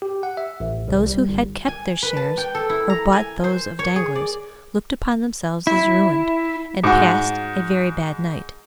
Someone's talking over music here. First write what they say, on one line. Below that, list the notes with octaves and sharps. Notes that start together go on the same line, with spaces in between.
Those who had kept their shares, or bought those of Danglars, looked upon themselves as ruined, and passed a very bad night.
G4
F#5
E5
A1
C2
G3
G1
G#5
B4
A5
G5
A4
E4
A#5
G#5
C5
C#5
G#4
D5
E4
G#2 F#4